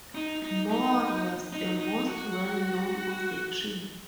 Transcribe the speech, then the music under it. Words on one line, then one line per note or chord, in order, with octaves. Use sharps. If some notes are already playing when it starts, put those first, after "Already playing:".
Moore was the most well-known of the three.
D#4
D#4
D#4
D#4
D#4
F#4